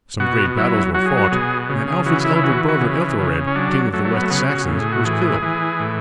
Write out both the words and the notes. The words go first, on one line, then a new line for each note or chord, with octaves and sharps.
Some great battles were fought, and Alfred's elder brother Ethelred, king of the West Saxons, was killed.
B2 F#4
F#3 E4
F#3 F#4
G#4
F#4
B2 G#4
C#3
G#4
E3 F#4
E4
E4
E3 F#4
F#4
C#3
C#3
C#4
F#3 D4
F#3 A3
A3
B3
A3
C#3 B3
F#4
A2
G#4
F#4
E3 G#4
E3
A2